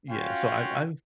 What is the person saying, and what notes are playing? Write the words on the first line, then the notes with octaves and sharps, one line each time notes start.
Yeah, so, I've I've
C#4 F4 F#4 F5 G5